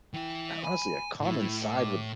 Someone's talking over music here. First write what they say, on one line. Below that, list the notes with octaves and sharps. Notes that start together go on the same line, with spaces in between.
a, honestly, a common side with
E3 E4 G5
G#5 B5
A2 E4
D6